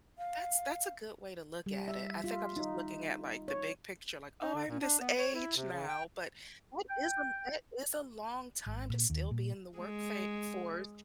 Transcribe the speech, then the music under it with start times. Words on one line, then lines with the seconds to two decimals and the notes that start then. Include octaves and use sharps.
That's that's a good way to look at it, I think I'm just looking at, like, the big picture, like, "Oh, I'm this age now," but, that is a that is a long time to still be in the work fa force
0.18 F5
1.66 G3
1.88 E5
2.24 F4
2.57 D#4
3.48 C#5
4.42 D#4
4.54 D3
4.68 A#2
4.81 D4
5.00 B3
5.18 C#5
5.34 E4
5.56 C3
5.71 C#3
5.89 G5
6.89 G5
8.66 G#1
8.89 A#2
9.10 D#2
9.31 A#2
9.78 G#3